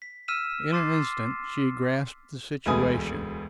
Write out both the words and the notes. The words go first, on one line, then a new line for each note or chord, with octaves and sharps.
In an instant she grasped the situation.
B6
E6 F6 B6 D#7 E7
C6 D6 A6 B6 C7
E1 D2 B4 G#5 D#6